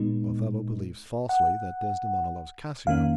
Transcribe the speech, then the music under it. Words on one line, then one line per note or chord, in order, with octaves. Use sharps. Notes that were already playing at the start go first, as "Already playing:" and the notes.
Othello believes falsely that Desdemona loves Cassio.
Already playing: A#2 G#3 B3 D#4
F#5
F2 D#3 A#3 C#4 F5